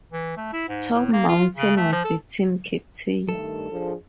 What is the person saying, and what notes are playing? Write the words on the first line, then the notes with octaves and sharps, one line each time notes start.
Tom Mountain was the team captain.
E3
A3
E4
G#2
A2
A#3
F4
C#3
A3
F3
A4
G2 D#3 A3 A4
F3 D4 G#4